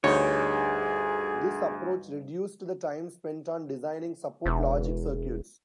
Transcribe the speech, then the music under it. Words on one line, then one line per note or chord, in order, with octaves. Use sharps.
This approach reduced the time spent on designing support logic circuits.
D2 G2 D#4 G#4 C#5
E1